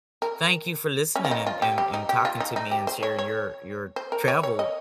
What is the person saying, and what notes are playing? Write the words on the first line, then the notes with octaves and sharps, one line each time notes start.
Thank you for listening and and and talking to me and sharing your your travel
A#4
C#4
F4
D#4
F4
G4
G4
D#4
G4
F4
D#4
D#4
G4
C5
C#5
C#5
C5
A#4
C#5
C#5
D#5